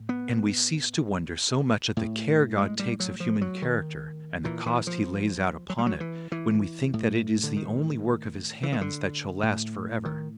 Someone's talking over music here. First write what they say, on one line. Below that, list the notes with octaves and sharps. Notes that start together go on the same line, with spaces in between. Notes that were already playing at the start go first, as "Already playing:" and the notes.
And we cease to wonder so much at the care God takes of human character, and the cost He lays out upon it, when we think that it is the only work of His hands that shall last for ever.
Already playing: A2
B3
A2
G#3
G3
F#3
F3
F#3
D#3
A#2 E3
E3
F3
F#3
G3
F#3
E3
E3
A2
D3
D#3
E3
D#3
D3
A2
D#3